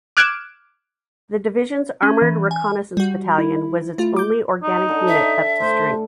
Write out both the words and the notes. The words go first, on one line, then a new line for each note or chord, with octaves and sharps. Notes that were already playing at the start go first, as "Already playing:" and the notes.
The division's armored reconnaissance battalion was its only organic unit up to strength.
D6 F6 F#6 G#6 D7 E7
C#4
E3
G#5
G3 F#4
E4
A3 F4
D6 G6
D#4
D3 A4
E5
A2 C5